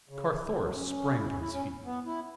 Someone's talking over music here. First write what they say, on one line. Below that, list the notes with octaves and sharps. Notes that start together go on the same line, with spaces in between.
Carthoris sprang to his feet.
C#3
F#3
F#3
C#4
C#4
E4
C#4
E4
C#4
B3
E4